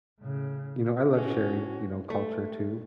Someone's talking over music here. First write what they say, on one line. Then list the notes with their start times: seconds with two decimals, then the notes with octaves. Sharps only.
you know, I love sharing, you know, culture too.
0.20 A2 C#3
1.14 A2 C#4 F#4
2.10 A3